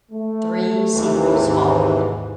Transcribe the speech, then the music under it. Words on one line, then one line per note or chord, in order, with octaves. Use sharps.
Three sequels followed.
A3
D#2 C3 E3
G#1 G#2